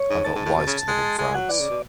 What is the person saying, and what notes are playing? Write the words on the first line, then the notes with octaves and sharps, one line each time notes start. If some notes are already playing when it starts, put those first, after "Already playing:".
I got wise to them in France.
Already playing: C#5
G#2
G#2 A5
G#2
A2
B2
C#3
G#3
G#3 G#5
F#3 F#5
E3 D5
C#3
B2